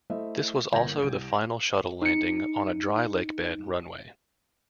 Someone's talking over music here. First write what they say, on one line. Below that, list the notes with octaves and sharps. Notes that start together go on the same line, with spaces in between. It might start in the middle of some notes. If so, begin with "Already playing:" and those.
This was also the final shuttle landing on a dry lake bed runway.
A3 E4 C5 D#5 E5
G1 A#3 G6 G#6 A#6
C2 D7
D#4 C#7